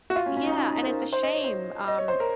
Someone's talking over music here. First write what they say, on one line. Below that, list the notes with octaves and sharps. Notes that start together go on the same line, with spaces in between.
yeah, and it's a shame, um,
F#4
F4
C#4
C#4
D#4
D#4
C5
A#4
C5
D#5
C#5
C5
D#5
C#5
C5
A#4